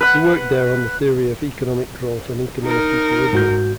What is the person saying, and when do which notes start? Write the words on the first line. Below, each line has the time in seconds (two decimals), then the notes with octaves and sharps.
He worked there on the theory of economic growth and economic equilibrium.
0.01 B4 F#5
2.64 D#4 A#4
3.33 G#2 F#4 G6